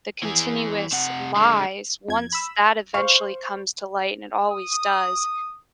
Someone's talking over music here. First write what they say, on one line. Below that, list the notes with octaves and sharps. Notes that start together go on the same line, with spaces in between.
the continuous lies once that eventually comes to light and it always does,
E3 G#4
C3 F#5
D3 G#3
F2 G#6
B5 E6
C5 F5 C#6
D#6